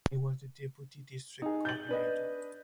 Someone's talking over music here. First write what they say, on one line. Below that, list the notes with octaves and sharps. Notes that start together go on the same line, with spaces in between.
He was the Deputy District Coordinator.
D#4 G#4
G6 A6 F#7
D4 B4 D#5